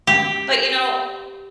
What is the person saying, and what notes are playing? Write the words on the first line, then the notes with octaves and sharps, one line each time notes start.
But, you know
G4